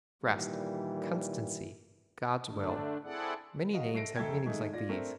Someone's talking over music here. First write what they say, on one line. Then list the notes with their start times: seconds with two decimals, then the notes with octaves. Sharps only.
'Rest,' 'Constancy,' 'God's will.' Many names have meanings like these.
0.24 A#2 D#3 E3 G3
2.48 D3 A3 D4
3.04 C4 E4 G#4 A4 D5 F#5
3.73 F#4 D#5 F5
3.94 A3 A#6 C7 D7
4.16 F1 A3 A4 G5 G#6
4.46 D#3 G#3 A3 D#4
4.73 F4 D5 A#6
4.89 A3 C4 D4 A#4